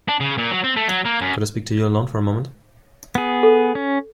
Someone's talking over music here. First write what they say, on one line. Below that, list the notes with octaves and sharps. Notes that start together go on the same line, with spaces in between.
Could I speak to you alone for a moment?
D4
C#3
A#2
F#3
C4
A3
F#3
A#3
F#2
B3 G#4
A4
C#4